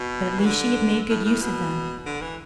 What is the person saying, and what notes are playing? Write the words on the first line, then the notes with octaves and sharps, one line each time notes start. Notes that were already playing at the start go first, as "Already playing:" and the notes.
But at least she had made good use of them.
Already playing: B2
E3
D3
A2
A2
B2
D3
E3